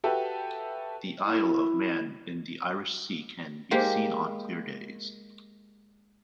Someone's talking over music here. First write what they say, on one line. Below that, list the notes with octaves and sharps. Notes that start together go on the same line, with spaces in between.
The Isle of Man in the Irish Sea can be seen on clear days.
F#4 G4 A4 B4 E5 G5
E4
G#3 A#3 G4